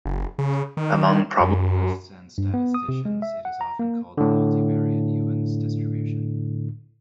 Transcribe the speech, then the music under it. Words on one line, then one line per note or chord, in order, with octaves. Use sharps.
Among probabilists and statisticians it is often called the multivariate Ewens distribution.
F#1
C#3
D#3
F#2
G2
B3
D#6
C3
G#3
E5
F#5
A#5
A#3
A2 D3